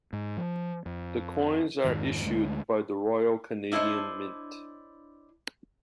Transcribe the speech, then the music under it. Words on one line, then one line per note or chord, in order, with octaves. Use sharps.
The coins are issued by the Royal Canadian Mint.
G#2
F3
F2
F2 G#2 D#3
D2 G#3
D4 E4 C5 C#5 D#5